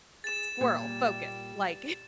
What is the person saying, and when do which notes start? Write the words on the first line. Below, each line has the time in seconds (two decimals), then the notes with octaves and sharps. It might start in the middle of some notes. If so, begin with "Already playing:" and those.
squirrel, focus, like
0.24 G#4 A6 E7
0.61 A#2 G3